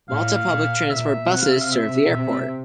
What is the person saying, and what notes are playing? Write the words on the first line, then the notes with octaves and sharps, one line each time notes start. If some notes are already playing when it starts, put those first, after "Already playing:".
Malta Public Transport buses serve the airport.
A2 F5
A#2
A#2 E5
C3 F#5
F5
E5
F5
E5
C3